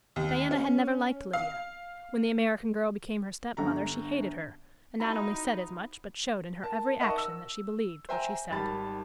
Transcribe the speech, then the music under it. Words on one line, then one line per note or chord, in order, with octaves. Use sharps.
Diana had never liked Lydia; when the American girl became her stepmother she hated her, and not only said as much but showed in her every action that she believed what she said.
D#2
C#4
F5
G1 D3 A#5
C4 D#4 E4 F#4 A#5 B5
A#4 A5
A#4 D#5 E5 F#5 A5 C#6
E6
C5 E5 G5 G#5 A#5
G#1 D#3 G3 A5 B5 A6